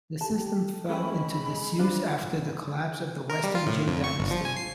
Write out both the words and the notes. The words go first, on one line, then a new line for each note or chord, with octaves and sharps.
The system fell into disuse after the collapse of the Western Jin dynasty.
G4 A4 A5
G#3 C#4 A4 G5 B5
D4 F4 C5
A#4
G3
F4
A2
F2
C#6
G1
F3
G#5
C7